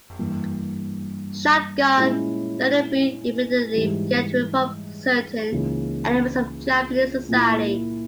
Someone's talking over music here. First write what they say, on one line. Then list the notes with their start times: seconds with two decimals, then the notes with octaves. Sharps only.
Shogun Ienobu immediately began to reform certain elements of Japanese society.
0.19 G2 E3 A#3
1.97 A#2 G#3 C#4 E4
3.74 G#2 E3 G3
5.52 C#2 C#3 E3 A#3 D#4
7.29 A#2 A#3 E4